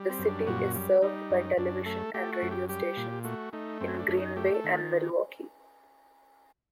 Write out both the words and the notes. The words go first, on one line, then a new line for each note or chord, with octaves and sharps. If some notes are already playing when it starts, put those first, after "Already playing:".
The city is served by television and radio stations in Green Bay and Milwaukee.
Already playing: G3
C4
F#2
D4
A#2 F#4
G3
G3 D#4
F#2
F#2 D4
A3 A4
A3 G4
F#4
F#2
G4
G3 G4
A#2
A3 F#4
A3 D#4
F#2 C4
D4
F#2
D#4
A3 G4
A4
D#3